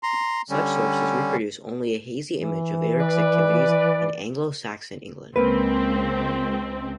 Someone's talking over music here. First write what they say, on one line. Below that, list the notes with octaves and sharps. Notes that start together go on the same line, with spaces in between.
Such sources reproduce only a hazy image of Eric's activities in Anglo-Saxon England.
A#5 C6
D3 G3 C#4
E3
B4 D5
C#2 A#3 C4 B4